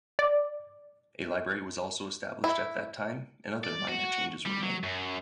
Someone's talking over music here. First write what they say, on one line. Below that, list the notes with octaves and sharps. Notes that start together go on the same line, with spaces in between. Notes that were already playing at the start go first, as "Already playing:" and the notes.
A library was also established at that time and other minor changes were made.
D5
E4
D5
F#4
G3
F#3
F#2